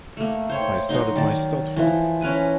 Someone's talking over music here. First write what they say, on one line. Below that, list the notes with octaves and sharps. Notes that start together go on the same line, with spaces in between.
I started my stud farm.
A3 A#3
C5 C#5 G5
F#3 D#4 C6
D#3 D5 A5
E3 F3
C#4 A#4 B4 G#5